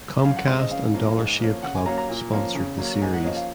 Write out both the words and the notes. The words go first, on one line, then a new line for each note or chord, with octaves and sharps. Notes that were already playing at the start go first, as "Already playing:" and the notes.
Comcast and Dollar Shave Club sponsored the series.
F#2 F5
F#5
C#3 G#3 C4 C6
D#5
C#3 F5
F3 A#3 C#4
G#2
F3 A#3 C#4
C#3 F#5
G#5
F#3 A#3 C#4 A#5
A#5
A#2
F3 A#3 C#4
C#3
F#3 A#3 C#4
G#2 G#5
F#5
F3 A#3 C#4 D#5
F5